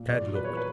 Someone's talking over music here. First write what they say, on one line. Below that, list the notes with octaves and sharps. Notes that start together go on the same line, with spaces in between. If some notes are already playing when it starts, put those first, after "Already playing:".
Tad looked.
Already playing: A#2
E2 D5
F#3
B4
E2 C#5
B4